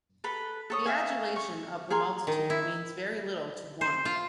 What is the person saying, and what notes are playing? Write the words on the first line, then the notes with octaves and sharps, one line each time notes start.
The adulation of the multitude means very little to one.
A4 B4 B5
A4 C#5 D#6
E5 F5 G#5
C#6
G#4 A#4 G#5 C6
D#3
E4
C5
F4